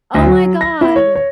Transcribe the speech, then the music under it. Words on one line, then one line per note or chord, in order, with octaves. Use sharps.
Oh, my god. E
D2
F#3
A#6
E4
C#5
C#5